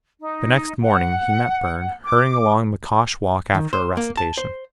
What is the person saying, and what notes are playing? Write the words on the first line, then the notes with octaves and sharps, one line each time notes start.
The next morning he met Burne hurrying along McCosh walk after a recitation.
D#4
F#5
D6
D#3
C5
A#3
A5
C5